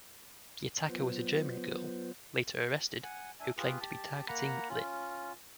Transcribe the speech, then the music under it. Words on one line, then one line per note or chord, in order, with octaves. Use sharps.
The attacker was a German girl, later arrested, who claimed to be targeting Linn.
F#3 B3 F4 B4 C5
F#5 G#5
D4 E5 G#5
F4 G4 G#4 B4
G4 A5
A#3 F#5 A#5 B5
C#4 F4